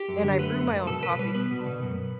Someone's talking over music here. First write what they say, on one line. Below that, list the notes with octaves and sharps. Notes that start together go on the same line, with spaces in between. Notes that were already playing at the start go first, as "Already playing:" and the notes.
And I brew my own coffee from home.
Already playing: G4
F#2
D3
A3 B4
F#2
F#2
B2 A4
B2 B4
G3 B4
B3 B4
B2
B2
F#2